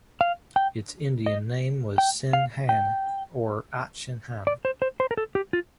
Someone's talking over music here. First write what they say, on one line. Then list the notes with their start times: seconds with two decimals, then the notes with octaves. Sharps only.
Its Indian name was Sinne-Hanne or Achsin-Hanne.
0.21 F5
0.56 G5
1.26 D#5
1.98 G5
2.33 F5
2.69 G5
4.47 D5
4.65 C5
4.82 C5
5.00 C5
5.11 A#4
5.17 A4
5.35 G4
5.53 F4